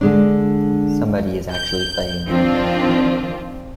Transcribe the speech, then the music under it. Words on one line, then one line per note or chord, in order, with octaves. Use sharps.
Somebody is actually playing your game.
D3 G#3 D4
G6
D#3 F3 C4 D4 F4